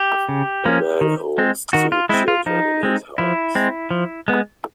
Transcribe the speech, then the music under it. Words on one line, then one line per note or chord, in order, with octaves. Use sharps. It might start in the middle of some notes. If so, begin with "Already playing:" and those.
A man holds two children in his arms.
Already playing: G4
C#3
F3 A#3 C#4
D#3
G#3 C4
D#3 F#4
F4
G#3 C4 E4
F4
F3 D#4
G#3 C4
F3 E4
G#3 C4
F3
G#3 B3